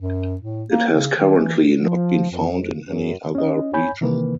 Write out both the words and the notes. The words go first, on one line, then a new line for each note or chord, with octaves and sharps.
It has currently not been found in any other region.
F#2
A2
A#3
C#3
D#3
E3
F3
F2
F#2
C#4 D#5
C#5 G#5 B5 G6
C3 D#3 E3 A#3 B4